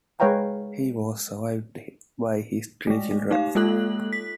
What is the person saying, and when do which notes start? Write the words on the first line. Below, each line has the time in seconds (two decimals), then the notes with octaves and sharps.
He was survived by his three children.
0.20 G#3 B4 C#5 F5 G5 A#5
2.87 G#3 A3
3.11 A3
3.31 D#4 G4 F5
3.55 G#3 A#3 F4 A4 F#6 F#7
4.13 B6